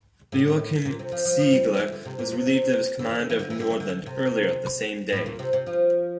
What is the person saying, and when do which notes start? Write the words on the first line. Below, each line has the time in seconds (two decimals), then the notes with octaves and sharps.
Joachim Ziegler was relieved of his command of "Nordland" earlier the same day.
0.32 A2
0.85 A#2
0.99 C3
1.12 F3
1.25 F3
1.39 F3
1.52 G3
1.79 E3
1.93 D3
2.05 C3
2.19 A#2
2.32 C3
2.46 C3
2.99 D3
3.09 E3
3.19 D3
3.30 E3
3.39 D3
3.50 E3
3.60 D3
3.70 E3
3.80 D3
4.06 C3
5.12 A2
5.26 A#2
5.39 C3
5.53 C3
5.66 F3